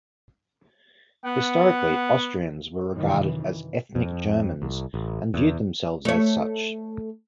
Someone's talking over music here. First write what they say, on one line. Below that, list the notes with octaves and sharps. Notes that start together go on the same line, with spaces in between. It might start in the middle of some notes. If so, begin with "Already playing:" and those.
Historically, Austrians were regarded as ethnic Germans and viewed themselves as such.
B3 F#5
F#2 C3 D#3 E3
F2
C2
A1
E2
A3 C#5